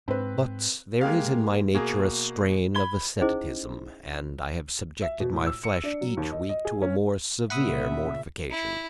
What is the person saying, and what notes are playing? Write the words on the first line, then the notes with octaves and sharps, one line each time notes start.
But there is in my nature a strain of asceticism, and I have subjected my flesh each week to a more severe mortification.
G#2 C4 B4
G#3 A#3 G4 F5
B2 A#3 G#4
B5 G#6 G7
C#4 D#4 E4 G#4 C5 D#5
E5
B2
A2
E6
C#7
D4
F#3
D#2
D#5
D#5
G#4
C#4
A#2 C#3 E5 F#5 B5 D#6
E4